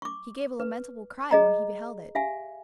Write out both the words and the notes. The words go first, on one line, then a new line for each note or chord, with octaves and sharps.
He gave a lamentable cry when he beheld it.
C#6 D6
B4
G#4 D#5 A#5
G4 E5 F5 G#5